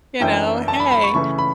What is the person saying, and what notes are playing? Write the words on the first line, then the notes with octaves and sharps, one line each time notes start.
you know hey,
F#2 E3 A3 D4 G5
A5
B5
B5
C#6
C#3 E3 A3 E4 C#6
B5